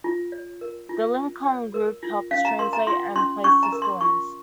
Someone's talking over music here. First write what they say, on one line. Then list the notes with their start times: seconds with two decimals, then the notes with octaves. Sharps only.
The Lincoln Group helps translate and place the stories.
0.04 F4
0.32 C#5
0.61 A#4
0.89 F4
1.18 F4
1.46 C#5
1.74 A#4
2.03 F4
2.31 C#4 F5
2.45 A#5
2.59 A#4 C6
2.73 A#5
2.87 F4 C6
3.16 C#4 C6
3.44 C#4 C#6
3.63 A#5
3.72 A#4
3.82 C6
4.01 F4 C#6